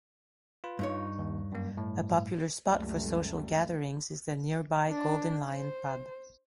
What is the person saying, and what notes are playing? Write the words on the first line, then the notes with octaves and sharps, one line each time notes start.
A popular spot for social gatherings is the nearby Golden Lion Pub.
F4 B4
G2 D#4 C#5
D#2
F#2 A#3
A2
C#2 F#2 G3 A3 A#3
D4
C5